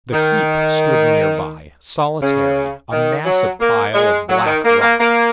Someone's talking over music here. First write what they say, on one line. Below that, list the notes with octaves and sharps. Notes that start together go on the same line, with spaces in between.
The keep stood nearby, solitary, a massive pile of black rock.
D#3
C#3
D#3
F#3
A#3
G#3
F#3
D#3
A#3
A#3
A#3